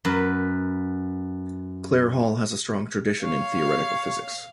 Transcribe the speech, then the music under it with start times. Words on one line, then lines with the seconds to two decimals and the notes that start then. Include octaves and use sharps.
Clare Hall has a strong tradition in theoretical physics.
0.05 F#2 B4
3.24 C#5 F5